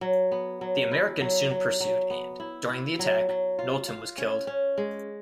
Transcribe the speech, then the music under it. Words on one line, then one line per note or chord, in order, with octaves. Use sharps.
The Americans soon pursued and, during the attack, Knowlton was killed.
F#3
B3
F#3
E4
F#3
F#3
F#3
B3
E4
E4
F#3
F#3
F4
F4
C#4
C#4
G#3